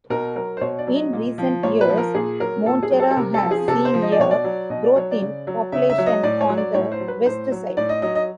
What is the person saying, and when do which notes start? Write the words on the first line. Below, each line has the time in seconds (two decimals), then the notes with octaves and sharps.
In recent years, Monteria has seen a growth in population on the west side.
0.10 B2 A#4
0.36 F#3 A#4
0.57 C5
0.61 B2 C#5
0.78 D5
0.87 F#3
0.95 D#5
1.13 A#2
1.38 F3
1.63 A#2 C#5
1.81 B4
1.89 F3
1.97 A#4
2.14 A#2 G#4
2.40 F#3 A#4
2.65 A#2 A4
2.83 G#4
2.91 F#3
3.00 A4
3.11 A4
3.16 C3 A#4
3.34 A4
3.42 F3
3.51 G#4
3.68 C3 A4
3.85 C5
3.94 F3
4.02 D#5
4.12 D5
4.19 B2 C#5
4.31 D5
4.44 F#3
4.70 B2 D#5
4.84 D5
4.96 F#3 C#5
5.11 D5
5.21 C#3
5.47 F#3
5.72 C#3 E5
5.90 E5
5.98 F#3
6.06 D#5
6.23 A2 D5
6.41 C#5
6.49 F#3
6.57 D5
6.74 A2 C#5
6.92 C5
7.00 F#3
7.08 B4
7.25 A2 C5
7.52 F#3
7.77 A2 D5
7.89 D#5
8.02 F#3 D#5
8.15 D#5